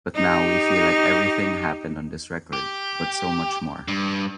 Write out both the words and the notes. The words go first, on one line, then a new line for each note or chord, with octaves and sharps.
But now we feel like everything happened on this record, but so much more.
D#4 G4
G4
G2